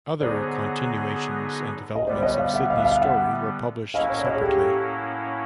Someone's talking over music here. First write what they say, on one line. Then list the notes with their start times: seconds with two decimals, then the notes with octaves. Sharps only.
Other continuations and developments of Sidney's story were published separately.
0.21 D3 F#3 B3 D#4 G#4 C5 D5
1.96 D#5
2.07 D3 G3 B3 C5 D5
2.17 D5
2.23 C#5 D#5
2.39 D#5 F5
2.54 E5 F#5
2.70 D#5 F5
2.78 E5
2.85 D#5 F5
3.01 E5 F#5
3.94 A2 F#3 A#3 C#4 E4 D#5 F5
4.10 C#5
4.19 D5
4.25 C#5 D#5
4.35 G#4
4.41 G4 A4